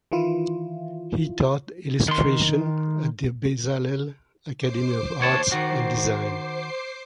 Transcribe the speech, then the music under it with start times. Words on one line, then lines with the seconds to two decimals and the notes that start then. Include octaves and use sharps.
He taught illustration at the Bezalel Academy of Arts and Design.
0.12 D#3 E3 E4 F4
2.08 D#3 C6
4.58 C5 D6 C7
5.21 D#2 C#5 A5
5.52 D#3 F#4